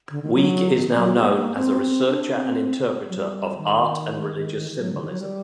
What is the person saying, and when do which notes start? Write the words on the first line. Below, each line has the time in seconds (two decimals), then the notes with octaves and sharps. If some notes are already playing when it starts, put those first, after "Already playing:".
Wiig is now known as a researcher and interpreter of art- and religious symbolism.
0.11 D3
0.22 D#3
0.34 F#3
0.74 D#3
0.95 F#3
1.15 G3
1.35 A#3
1.55 C4
1.82 C4
2.09 D4
2.36 C4
3.09 F#3
3.17 G3
3.58 D#3
4.72 D#3
4.79 F#3
4.92 D3
5.01 D#3
5.10 F#3
5.19 G3